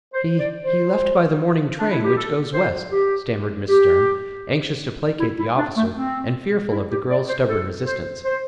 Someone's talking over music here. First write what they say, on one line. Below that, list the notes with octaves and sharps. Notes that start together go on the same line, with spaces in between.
"He--he left by the morning train, which goes west," stammered Miss Stearne, anxious to placate the officer and fearful of the girl's stubborn resistance.
C5
D5
C5
D4
E4
G4
A4
C5
G4
G4
E4
E4
D4
A3
C4
E4
G4
D5
C5
A4
C5
C5